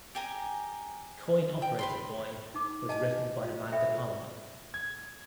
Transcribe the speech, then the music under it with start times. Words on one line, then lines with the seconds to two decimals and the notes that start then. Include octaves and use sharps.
"Coin-Operated Boy" was written by Amanda Palmer.
0.15 G4 G#5 A#5
1.62 G5
1.79 B4 B5 C6
2.54 D#4 D6
2.89 D#5 G#5 A5
3.44 F4
3.72 A4 E5 G5 B5
4.74 G#6